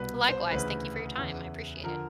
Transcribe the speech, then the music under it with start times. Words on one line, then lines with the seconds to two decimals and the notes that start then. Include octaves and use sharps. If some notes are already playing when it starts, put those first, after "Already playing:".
Likewise, thank you for your time, I appreciate it.
Already playing: C2 B2 B4
0.29 C5
0.51 D2 C#3 E3 B4
1.18 E2 C#3 E3
1.83 D3 F3 A#4